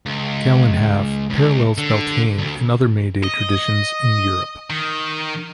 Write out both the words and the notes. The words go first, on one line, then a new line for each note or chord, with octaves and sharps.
Calan Haf parallels Beltane and other May Day traditions in Europe.
C#2
C#2
D3
D2
D#5
D#3